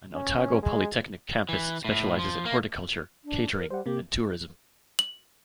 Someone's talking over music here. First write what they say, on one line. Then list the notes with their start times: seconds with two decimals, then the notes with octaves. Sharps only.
An Otago Polytechnic campus specialises in horticulture, catering and tourism.
0.14 C#4
0.63 G#3
1.49 E3
1.85 A2
2.19 F3
2.45 A#3
3.25 D4
3.54 A#4
3.70 G3 C5 F#5
3.86 C3 A#3 G4
4.99 F#7